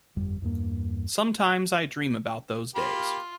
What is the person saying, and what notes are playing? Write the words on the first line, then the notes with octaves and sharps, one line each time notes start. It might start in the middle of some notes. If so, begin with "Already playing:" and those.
Sometimes I dream about those days.
G1 F2 G3
E2 G2 A#3
A#3 F4 G4 B5